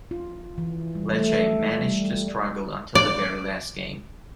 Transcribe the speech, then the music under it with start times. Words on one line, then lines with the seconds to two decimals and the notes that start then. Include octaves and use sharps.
Lecce managed to struggle until the very last game.
0.11 F4
0.58 E3
0.95 G3
1.13 A3
1.82 G3
2.95 D5